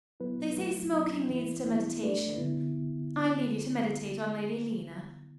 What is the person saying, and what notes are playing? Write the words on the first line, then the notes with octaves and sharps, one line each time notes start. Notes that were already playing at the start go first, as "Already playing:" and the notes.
They say smoking leads to meditation; I leave you to meditate on Lady Lena.
F#3 B3 E4 B4
F#3 A3 E4
F#3 B3 E4
E3 B3 E4
E3 B3 E4
A3 D4 B4 D5
D3 B3 E4